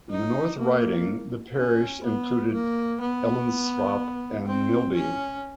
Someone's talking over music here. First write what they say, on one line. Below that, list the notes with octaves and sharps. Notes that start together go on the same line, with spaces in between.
In the North Riding the parish included Ellenthorpe and Milby.
D#4
A#3
C#4
B3
A#3
B3
C4
C#4